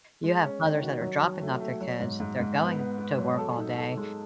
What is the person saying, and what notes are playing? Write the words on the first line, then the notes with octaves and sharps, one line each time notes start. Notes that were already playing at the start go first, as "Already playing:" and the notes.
You have mothers that are dropping off their kids, they're going to work all day,
G#3
C#4
D#3
F#4
F#3
F#3
A3
A3
F#3
G#2
G#2
G#2
B3
B3
B3
F#3
A4
D#4
A4
G#3